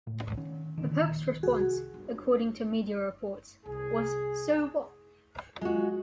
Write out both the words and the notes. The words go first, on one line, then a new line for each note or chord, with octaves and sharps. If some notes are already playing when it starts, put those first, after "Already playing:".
The pope's response, according to media reports, was so what?
A2
D#3 C#4
A#1 D3 D#3
A#1
C2 F#4 G#4
G1
C2 G#4
G#3 F4 F#4